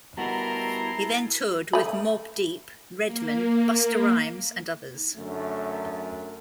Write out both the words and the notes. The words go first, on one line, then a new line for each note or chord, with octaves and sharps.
He then toured with Mobb Deep, Redman, Busta Rhymes, and others.
G3 B3 E4 F#4 A#4 A5 A#5 C6
A3 B5
A#3
F#2 D3 A3